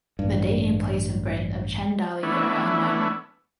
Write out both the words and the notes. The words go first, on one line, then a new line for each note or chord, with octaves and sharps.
The date and place of birth of Chen Dali are unknown.
A1 G2
E3 A3 B3 C#4 D4 E4